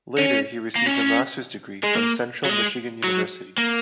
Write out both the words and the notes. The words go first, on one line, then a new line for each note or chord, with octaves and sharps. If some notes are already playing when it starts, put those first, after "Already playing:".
Later he received a master's degree from Central Michigan University.
C#4
A#3
C#4
G#3
A#3
F#3
G#3
F#3
A#3